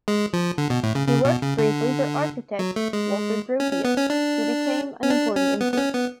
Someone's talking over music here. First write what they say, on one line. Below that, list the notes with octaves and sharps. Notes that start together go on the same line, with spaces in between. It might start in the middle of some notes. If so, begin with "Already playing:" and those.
He worked briefly for architect Walter Gropius, who became an important influence.
G#3
F3
D3
B2
A2
C#3
C#3
B2
C#3
D3
F#3
A3
G#3
C#4
C#4
B3
C#4
D4
C#4
D4
C#4
B3
B3
C#4
B3